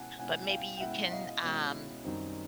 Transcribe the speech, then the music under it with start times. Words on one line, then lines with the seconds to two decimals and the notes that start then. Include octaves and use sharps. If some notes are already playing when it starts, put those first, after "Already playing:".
but maybe you can, um
Already playing: B2 G#3 C#4 E4 F#5 G#5 A5
0.19 B2 G#3 C#4 E4 F#5 G#5
0.43 G#5
0.50 F5 G5
0.77 G5
0.80 B2 G#3 C#4 E4 E5 F#5
1.11 D#5 F5
1.43 B2 G#3 C#4 E4
2.04 F#2 D#3 G3 C4 D#4